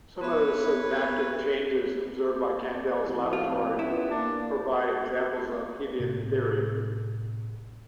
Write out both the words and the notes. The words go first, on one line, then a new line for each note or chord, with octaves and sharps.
Some of the synaptic changes observed by Kandel's laboratory provide examples of Hebbian theory.
B3 B4 C#5 E5
F2 A2 C4
F4
B3 C#4 E4 F4 G4
A#3 D4
A2 C3 C4